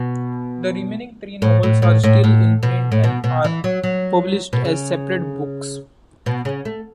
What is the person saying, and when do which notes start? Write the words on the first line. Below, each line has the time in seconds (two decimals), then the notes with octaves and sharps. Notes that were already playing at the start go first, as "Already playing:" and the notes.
The remaining three novels are still in print and are published as separate books.
Already playing: B2
1.42 A2
1.63 A2
1.82 A2
2.04 A2
2.24 A2
2.63 B2
2.92 A2
3.04 B2
3.24 B2
3.44 E3
3.64 F#3
3.83 F#3
4.53 B2
4.65 C#3
6.26 B2
6.45 C#3
6.65 A3